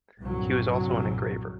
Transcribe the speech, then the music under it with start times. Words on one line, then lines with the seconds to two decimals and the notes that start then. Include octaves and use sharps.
He was also an engraver.
0.21 C2 G2 A#2 F#3